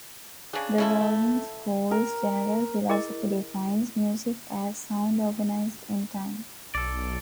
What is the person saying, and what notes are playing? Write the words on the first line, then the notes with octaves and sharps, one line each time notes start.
The Walden School's general philosophy defines music as sound organized in time.
C#3 D4 G#4
C#3 G#3 A3 C#4 E4 A4
A3
A#4
E4 G#4 A#4 D#5
B1 A4 D5